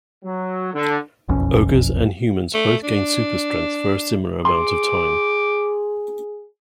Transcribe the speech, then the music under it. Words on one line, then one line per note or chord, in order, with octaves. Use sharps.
Ogres and humans both gain super strength for a similar amount of time.
F#3
D3
F#1 B1 F2 C#4
A3
D4
G#4 C6 D6